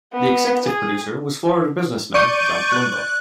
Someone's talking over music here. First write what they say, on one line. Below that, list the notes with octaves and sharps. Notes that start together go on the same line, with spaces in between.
The executive producer was Florida businessman John Palumbo.
B3
G#4
D5 C#6 G6 D#7
F#6